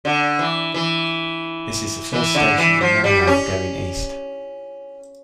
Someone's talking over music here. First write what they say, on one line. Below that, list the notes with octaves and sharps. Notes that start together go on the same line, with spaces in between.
This is the first station in Maryland going east.
D3
E3
E3
E3
D3
E3
F3
G3
C#4